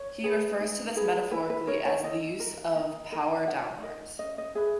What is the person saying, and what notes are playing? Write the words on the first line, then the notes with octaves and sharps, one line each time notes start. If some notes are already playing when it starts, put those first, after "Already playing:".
He refers to this metaphorically as the use of power downwards.
Already playing: C#5
G#4 B4
D#4
G#4 B4
E4 B4
B4
A#4 C#5
C#5
E4 D#5
A#4
D#4
A#4
D#4 F#5
A#4 D#5
C#4 D#5
D#5
G#4 B4 E5